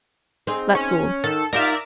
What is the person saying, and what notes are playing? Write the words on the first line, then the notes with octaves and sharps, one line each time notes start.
That's all.'
C4 D#4 G#4
C#4
D#3 A4
D#4 F4 G4 A#4 D5 E5